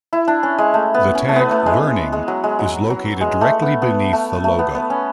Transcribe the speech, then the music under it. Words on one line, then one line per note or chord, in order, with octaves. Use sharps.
The tag 'Learning' is located directly beneath the logo.
E4
D4
C#4
G#3
A3
B3
C#4
A3
B3
A3
G#3
G#3
F#3
G#3
F#3
F#3
G#3
A3
B3
B3
A3
A3
B3
B3
C#4